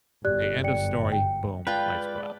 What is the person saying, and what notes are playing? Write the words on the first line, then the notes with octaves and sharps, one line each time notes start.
Say, end of story, boom, lights go out.
G1 F#2 G4 D5 F#6
D5 G5 C#7
G5
G#3 F4 B4 D5 G5 A5